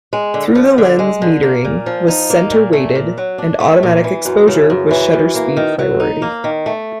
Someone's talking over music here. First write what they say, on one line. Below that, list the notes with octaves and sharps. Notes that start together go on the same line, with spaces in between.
Through the lens metering was center weighted and automatic exposure was shutter speed priority.
G#3
D3
F3
D3
G#3
D3
A#3
A#2
F3
D#4
A#3
A#2
A3
A#2
F#3
D4
A3
A#2
E3
F#2
C#3
F#2
E3
F#2
A#3
D#3
F#3
D#4
A#3
D#3
A3